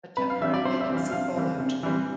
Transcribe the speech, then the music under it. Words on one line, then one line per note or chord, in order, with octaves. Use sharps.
A temporary vacancy followed.
C3 B4
F5
E3 G3 C4 E5
D5
C3 C5
E5
E3 G3 C4
F5
C3 F5
E3 G3 C4
C3
E3 G3 C4